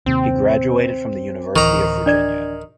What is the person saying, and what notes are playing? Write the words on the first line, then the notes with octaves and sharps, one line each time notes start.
He graduated from the University of Virginia.
D#2 C3 C4
D1 D#3 E3 A#5 C#6
D4 D5 G#6